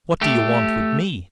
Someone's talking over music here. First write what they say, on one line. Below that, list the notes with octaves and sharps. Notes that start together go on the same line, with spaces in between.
What do you want with me?'
A3 G4